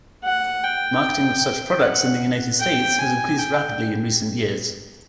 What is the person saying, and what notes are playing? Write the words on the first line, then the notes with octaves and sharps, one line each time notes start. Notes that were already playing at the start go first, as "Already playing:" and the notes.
Marketing of such products in the United States has increased rapidly in recent years.
F#5
G5
G5
F#5
G5
G#5
G5